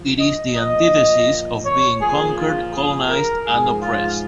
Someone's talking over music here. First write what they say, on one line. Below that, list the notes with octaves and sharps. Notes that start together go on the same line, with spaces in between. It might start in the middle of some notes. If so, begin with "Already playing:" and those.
It is the antithesis of being conquered, colonized, and oppressed.
Already playing: F3
D#5
A#2 F3 D#5
C#5
A#2 F3 G#4
F4
G#4
A#4
G#2 F3 G#4
F4